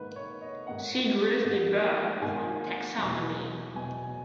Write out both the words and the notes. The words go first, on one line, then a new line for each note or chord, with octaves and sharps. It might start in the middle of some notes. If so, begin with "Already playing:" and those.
See grizzly bear for taxonomy.
Already playing: G#2 D#3 A#3 B4
C#5
D#5
G#2 D#3 A#3 F#5
G#2 D#3 A#3
G#2 D#3 A#3 G#5
E2 B2 F#3
E2 B2 F#3 G#5